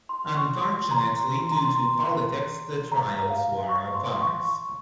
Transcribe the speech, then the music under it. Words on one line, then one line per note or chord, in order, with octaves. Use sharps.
Unfortunately due to politics the trials were a farce.
C6
C#6
C6
A#5
C6
C6
A#5
C6
A#5
F5
C#6
C6
C#6
C#6